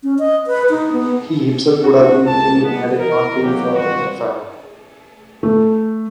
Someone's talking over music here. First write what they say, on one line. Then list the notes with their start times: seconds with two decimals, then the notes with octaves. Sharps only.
He himself would have been killed had it not been for Elfhelm.
0.03 C#4
0.19 D#5
0.47 B4
0.70 D#4
0.92 B3
1.83 D4 E4 F#4
2.26 C#2 G#2 B2 A#3 G4 A5
2.63 A#2 G3 G#3 B3
2.98 E3 A#4
3.42 E3 F#3 G#3 A#3 G4
3.74 G#1 G2 G3 C4 F4 F#4
5.43 A3